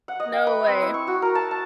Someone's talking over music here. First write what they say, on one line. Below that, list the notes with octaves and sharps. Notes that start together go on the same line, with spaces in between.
No way.
F#5
D#5
G5
B4
C4
E4
C#6
F#4
A#4
A5
A5